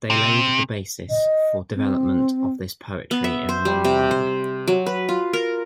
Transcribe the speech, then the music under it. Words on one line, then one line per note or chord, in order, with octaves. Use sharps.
They laid the basis for development of this poetry in the modern world.
C3
D#5
C4
B3
E5
C5
G3
C3
C5
F#3
B4
F4
A#4